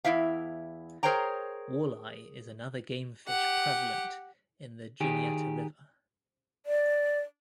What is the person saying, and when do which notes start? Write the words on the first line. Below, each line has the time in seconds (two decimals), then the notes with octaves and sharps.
Walleye is another game fish prevalent in the Juniata River.
0.04 E2 G#2 E4 E5 F5
1.03 G#4 A#4 C5 C#5 G5 A#5
3.28 G4 F#5
5.01 D#3 G4 G#4
6.66 D5